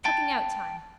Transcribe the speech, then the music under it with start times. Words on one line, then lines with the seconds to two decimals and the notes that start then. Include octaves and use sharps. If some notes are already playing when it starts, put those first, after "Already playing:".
Chuckingout time.
0.05 G5 A5